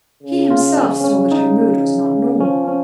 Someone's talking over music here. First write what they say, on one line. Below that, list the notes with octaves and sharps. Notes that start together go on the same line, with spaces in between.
He himself saw that her mood was not normal.
C#3
F4
C#4
C#4
D#4
F3 C#4
C#4